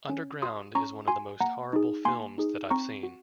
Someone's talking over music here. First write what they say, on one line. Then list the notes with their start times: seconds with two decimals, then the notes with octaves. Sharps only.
"Underground" is one of the most horrible films that I've seen.
0.09 C#4
0.42 F#4 C6 D#6
0.75 C#4 A#5 C#6
1.08 F#4 G#5 C6
1.40 A#3 F#5 A#5
1.73 D#4 G#4
2.05 A#3 G#5 C6
2.38 D#4 G#4
2.70 C4 A#5 C#6
3.03 F#4